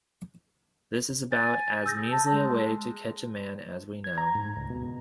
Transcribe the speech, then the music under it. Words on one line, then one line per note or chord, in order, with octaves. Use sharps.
This is about as measly a way to catch a man as we know.
G#5 A6
G#4 E6 G6 A#6
A5
G#3
G#6
A#5
G#2
C#2
B2